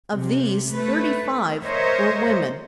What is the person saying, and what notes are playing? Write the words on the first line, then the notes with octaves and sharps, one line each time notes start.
Of these thirty-five were women.
C3
A3 B4
A#4 C5 C#5 D#5 E5